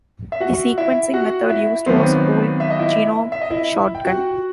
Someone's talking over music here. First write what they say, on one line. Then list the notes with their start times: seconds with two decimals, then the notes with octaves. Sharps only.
The sequencing method used was whole genome shotgun.
0.32 E5
0.40 F#4 F#5
0.78 E4 E5
1.13 F#4 F#5
1.50 E4 E5
1.86 D#2 D#3 F#3 B3 C4 C5
2.60 E5
2.70 D#5
2.79 E4 E5
3.32 E5
3.42 D#5
3.50 E4 E5
3.95 G5
4.05 F#4 F#5